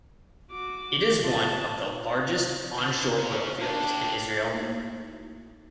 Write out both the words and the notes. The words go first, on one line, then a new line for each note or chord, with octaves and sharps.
It is one of the largest on-shore oil fields in Israel.
F#4 D6
F4 D#5 A5
D3
C#4 F#4
A#3 D4 G4
A3 A#3 D#4 E4 F#4